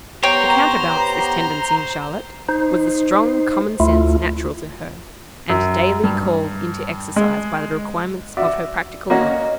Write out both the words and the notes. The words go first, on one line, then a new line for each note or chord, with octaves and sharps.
To counterbalance this tendency in Charlotte, was the strong common sense natural to her, and daily called into exercise by the requirements of her practical life.
B3 G4 C5 C#5 G5 A#5
D#4 C5
D2 A3 E4 F4
F#2
G2
G#3
F#4 D5 E5
A#3 C#4 F#4 D#5